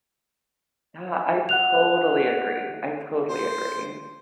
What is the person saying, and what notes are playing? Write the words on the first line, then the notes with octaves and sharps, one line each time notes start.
Yeah, I totally agree, I totally agree.
F#5 F#6 F7
C5